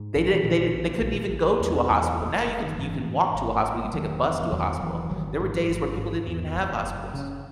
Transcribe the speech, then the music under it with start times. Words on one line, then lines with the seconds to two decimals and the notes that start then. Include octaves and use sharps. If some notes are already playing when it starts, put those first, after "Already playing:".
they did they di they couldn't even go to a hospital, now you can you can walk to a hospital, you take a bus to a hospital. There were days where people didn't even have hospitals.
Already playing: G#2
0.15 A#1
0.35 E3
0.43 A#2 D#3 F#3
0.73 A#1
1.01 A#1
1.32 A#1
1.60 E2
1.90 E2
2.19 F#1
2.48 F#1
2.67 D#3
2.77 G#2 E3
3.06 G#2
3.35 G#1
3.65 G#1
3.76 A#3
3.84 G#3
3.93 E1 D#3 F#3
4.23 E2
4.43 E3
4.52 E2 D#3 F#3
4.81 E1 E3
5.10 G#1 D#3 F#3
5.40 G#2
5.69 G#1
5.98 G#2
6.26 E2
6.56 F#1
6.86 F#1
7.14 C#3